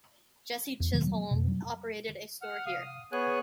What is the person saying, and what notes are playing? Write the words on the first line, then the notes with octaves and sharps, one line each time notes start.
Jesse Chisholm operated a store here.
E2
B2 D#3 F#3 A#3
F#3
F2 B2
F#3
F#5 F6
F5 D#6 F6
D#6
B3 G#4 C#5 G#5 F#6